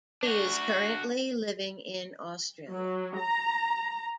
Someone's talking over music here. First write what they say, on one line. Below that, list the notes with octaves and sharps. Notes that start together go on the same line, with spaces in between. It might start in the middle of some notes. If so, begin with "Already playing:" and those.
He is currently living in Australia.
D4 F#4
F#3
A#5